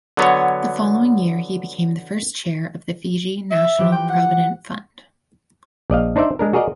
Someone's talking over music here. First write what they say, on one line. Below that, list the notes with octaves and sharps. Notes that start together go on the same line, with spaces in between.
The following year he became the first chair of the Fiji National Provident Fund.
D3 F#3 B3 C#5
E5
E3 F3 G4
G5
F#5
A#1 D5 D#5 F5
D4 D#4 C5 D5 E5
G#3 D4 A#4
F#4 G#4 A#4 D5 D#5